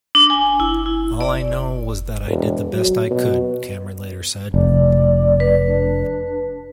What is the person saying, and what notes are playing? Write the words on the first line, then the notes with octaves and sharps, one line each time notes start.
"All I know was that I did the best I could," Cameron later said.
D4
G#5
E4
E4
D5
E1
F#3
B2
F1 D5
B4
D4